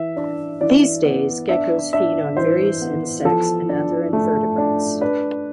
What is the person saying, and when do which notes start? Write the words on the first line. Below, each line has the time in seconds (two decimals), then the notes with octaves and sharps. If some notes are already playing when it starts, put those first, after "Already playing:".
These day geckos fed on various insects and other invertebrates.
Already playing: E3 E5
0.16 D4
0.61 E3 D5
1.05 B3
1.49 D4 E5
1.93 D4 E5
2.37 E3 C5
2.81 B3
3.25 F3 A4
3.69 D4
4.13 A3
4.58 D4
5.01 D4 B4